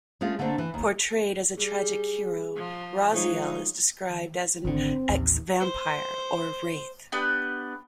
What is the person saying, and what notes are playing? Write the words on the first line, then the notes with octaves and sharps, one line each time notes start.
Portrayed as a tragic hero, Raziel is described as an "ex-vampire" or "wraith".
G#3 A3 C#4 F4
D3 A3 A#3 C4 D4
E3
D#2
G3 G#4
F3
F3 F#3 G#3 D#4
G#1 D3 C4
A1 D#2
C5
B3 D4 G4 B4